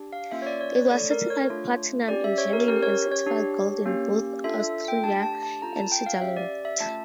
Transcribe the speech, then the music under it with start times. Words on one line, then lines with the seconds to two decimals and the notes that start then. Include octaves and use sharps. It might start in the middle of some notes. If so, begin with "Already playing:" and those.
It was certified platinum in Germany, and certified Gold in both Austria and Switzerland.
Already playing: D4 G4
0.13 F5
0.32 A#3 C#4 F4 E5
0.42 C#5
0.47 D5
0.61 C#5
0.76 C#5
0.91 A3 D4 A4 D5
1.11 A#4
1.30 C#5
1.49 A3 D4 F4
2.08 C#4 G4 D5
2.24 E5
2.38 C#5
2.53 A#4
2.68 C#4 G4 A#4
2.83 C#5
3.12 C#5
3.27 D4 G4
3.85 A#3 C#4 G4
4.44 D4 F4 A4 E5
4.60 E5
4.88 G5
5.03 A3 D4 G4 A5
5.23 A5
5.43 A5
5.62 C#4 F4 A4 A#5
5.77 A5
5.92 G5
6.06 F5
6.21 C#4 G4 E5
6.37 D5
6.65 E5
6.80 A3 C#4 F4 A5